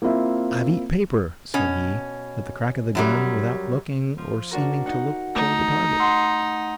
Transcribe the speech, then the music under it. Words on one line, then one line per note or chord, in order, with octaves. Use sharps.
"I've eat paper," said he, at the crack of the gun, without looking, or seeming to look, toward the target.
A#3 C4 E4 F4 E5
B2 C#4
F#2 F#3 G3
F3
D4 F#4 A#4
D#4 F#5
A3 D#4
F#5 C6 E6